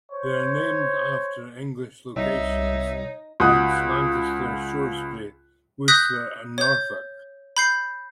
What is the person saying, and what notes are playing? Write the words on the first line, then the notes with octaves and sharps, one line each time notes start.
They are named after English locations, hence Lancaster, Shrewsbury, Worcester, and Norfolk.
C5 C#5
C2 D#4 C#5 E5
C#2 F#4 D#6 F#6
D#6 F#6 G6 A#6 B6
C#5 G6
B5 G6 C7